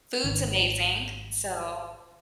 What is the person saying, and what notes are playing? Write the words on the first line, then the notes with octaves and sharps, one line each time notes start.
Food's amazing, so
G#1 D#3